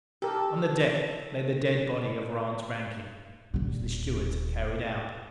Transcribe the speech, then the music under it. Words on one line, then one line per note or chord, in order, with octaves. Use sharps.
On the deck lay the dead body of Rance Rankin, which the stewards had carried out.
G4 A4 A#4
D#1 A#2